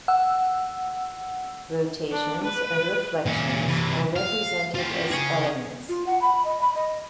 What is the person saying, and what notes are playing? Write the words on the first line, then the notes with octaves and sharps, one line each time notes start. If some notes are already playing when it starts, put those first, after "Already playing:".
Rotations and reflections are represented as elements.
F#5 E6
D4
B4
A#2 C#4
C3 E3
F5
F4 G4
G#4 C#5
F4
F#5
B5
D#5
B5
D#5